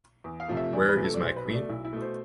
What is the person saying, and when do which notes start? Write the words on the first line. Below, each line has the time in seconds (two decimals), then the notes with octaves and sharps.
Where is my queen?
0.24 E2
0.40 F5
0.48 C3 F3 A3
0.57 E5
0.73 E2 D5
0.89 B4
0.96 C3 F3 A3
1.04 A4
1.14 D5
1.20 B1 C5
1.36 B4
1.44 B2
1.49 A3 D5
1.69 B1 E4
1.85 E4
1.93 B2 A3
2.01 C5